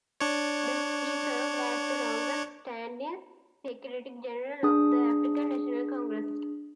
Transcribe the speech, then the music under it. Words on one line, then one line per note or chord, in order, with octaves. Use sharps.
He served as the longest-standing secretary-general of the African National Congress.
D4 C#5
D4 G#4 D#6